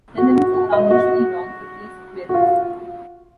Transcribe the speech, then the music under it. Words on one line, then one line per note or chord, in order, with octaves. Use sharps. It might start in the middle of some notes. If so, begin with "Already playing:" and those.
The limbs are unusually long for tree squirrels.
F#4
F#4
F#4
D#5
F#4
F#4
F4